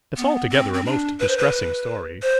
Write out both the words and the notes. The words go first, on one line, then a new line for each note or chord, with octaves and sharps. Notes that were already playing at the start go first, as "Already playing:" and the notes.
It's altogether a most distressing story.
B3
C4
C4
D4
B4
C5
B4
C5